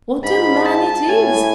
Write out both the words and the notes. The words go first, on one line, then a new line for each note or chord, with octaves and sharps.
What a man it is!
G#2 B5
A5
A2 G#5